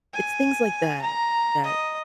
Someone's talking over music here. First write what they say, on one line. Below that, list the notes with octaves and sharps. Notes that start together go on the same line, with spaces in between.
It's things like that that
G#5
A#5
D#5